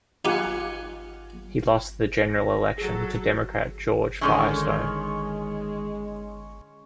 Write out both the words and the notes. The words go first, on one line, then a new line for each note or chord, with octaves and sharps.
He lost the general election to Democrat George Firestone.
D#4 F4 G4 F#5 G#5
A#6
F#3 G#4 A4
D3 D#3 G#3 C#4 D#4 E4 C#5 C6